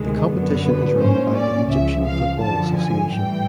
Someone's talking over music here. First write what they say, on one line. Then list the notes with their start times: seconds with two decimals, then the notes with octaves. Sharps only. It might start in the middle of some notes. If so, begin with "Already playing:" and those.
The competition is run by the Egyptian Football Association.
Already playing: D2 C3 D#3 G#3
0.28 F#2 D3 F#3 B3
0.62 B4
0.98 A2 F#3 A#3 C#4 C5
1.34 D5
1.69 C#2 C#3 F3 E5
2.04 F5
2.40 F#2 D3 F3 A5
2.75 G#5
3.11 A2 E3 G3 G5